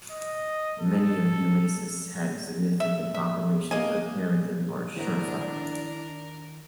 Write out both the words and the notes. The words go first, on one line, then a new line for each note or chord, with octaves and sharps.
Many of the oases had significant populations of haratin or shurfa.
D#5
A4
E5
E5
A#3 D#5 G#5
D#3 D4 E4 A#4 C5 C#5 F#5